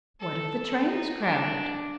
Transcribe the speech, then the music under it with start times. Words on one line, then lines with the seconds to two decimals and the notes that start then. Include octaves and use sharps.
What if the train is crowded?
0.20 A4
0.87 D#4
1.21 D4